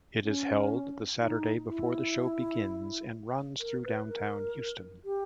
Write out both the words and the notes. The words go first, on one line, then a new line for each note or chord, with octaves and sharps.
It is held the Saturday before the show begins and runs through downtown Houston.
C#4
D#4
E4
A#4
B4
A#4
G4